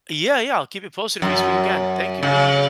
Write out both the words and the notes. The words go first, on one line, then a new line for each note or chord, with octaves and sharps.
Yeah, yeah, I'll keep you posted if we speak again. Thank you.
F#2
C#3